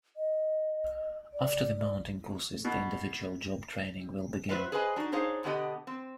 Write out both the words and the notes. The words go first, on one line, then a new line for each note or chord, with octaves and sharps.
After the mountain courses the individual job training will begin.
D#5
D5
D5
B2
F#3 F4 B4 C5 D#5 E5
G#4 B4 C5 D#5 G#5
D4 D#4 F#4
D4 D#4 G#4 C5 C#5 F5
B2 D3 B3 G4 D#5
C4